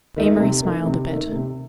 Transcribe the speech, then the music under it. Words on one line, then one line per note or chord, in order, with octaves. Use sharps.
Amory smiled a bit.
D#3 A3 D#4
C3
D#3 A3
C3
D#3 A3
C3